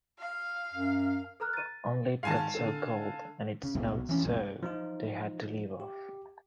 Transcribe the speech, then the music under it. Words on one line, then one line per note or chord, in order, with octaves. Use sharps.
Only it got so cold, and it snowed so, they had to leave off.
F5
F#2
A4 B4 A#5 F6 F#6
A6 D#7
G#2 D#3 F5 G#5 A5
D3 A4
C#3
C2 G2 G#3 B3
B1 B2
E3 C#4
F1 B1 A2 C3
F3 D#4 F4
G4